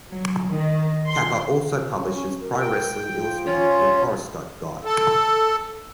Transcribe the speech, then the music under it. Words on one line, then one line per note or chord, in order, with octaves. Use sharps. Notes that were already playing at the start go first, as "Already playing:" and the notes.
Kappa also publishes "Pro Wrestling Illustrated" and "Horoscope Guide".
F#3
D#3
C6
C#4
A#4
G5
F3
C#4 F4 C#5
A4